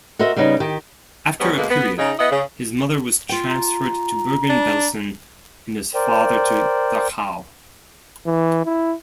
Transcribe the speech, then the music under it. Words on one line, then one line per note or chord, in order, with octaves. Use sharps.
After a period, his mother was transferred to Bergen-Belsen and his father to Dachau.
F#4 A#4 C5 D#5 E5
C#3 G3 B3 C#4 D#4
D#3 G4
G#2 G3 B3 C#5
B2 D3 G#3 A#3 B3
B3
C#3 D#4
B3 E4 D#5
C#3
F4 G5
A#5
D4
A#4 C5 D5 G5
E3
E4